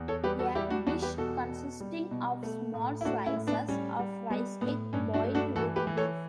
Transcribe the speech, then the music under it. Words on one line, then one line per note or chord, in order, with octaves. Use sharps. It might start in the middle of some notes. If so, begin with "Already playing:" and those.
A dish consisting of small slices of rice cake boiled with beef.
Already playing: E2
A4 C#5
G3 G4 B4
F#4 A4
G3 E4 G4
D4 F#4
E2 D4 F#4
G4 B4
B2 F#4 A4
B2
G3
B2
A3
A2
E4
A3 D4 F#4
C#4 E4
A2
B3 D4
G3 C#4
G3
G3 B3
A2 B3
G2 C#4
D4 F#4
A3
D4 F#4
E3 F#4 A4
G4 B4
E3
A4 C#5